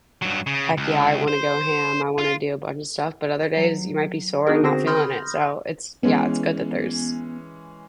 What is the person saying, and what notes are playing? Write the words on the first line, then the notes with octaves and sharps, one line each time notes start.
"Heck yeah, I want to go ham, I wanna do a bunch of stuff," but other days you might be sore and not feeling it, so it's, yeah, it's good that there's
G2 F#3
C#3
C#2
C5
F4
F#3
B3 D4 D#4 F#4 G#4 A#4
D3 C4 F#4 G#4 C5 A#6
B5 C6 D#6 F6 G6 A#6
E3 G#3 B3 C#4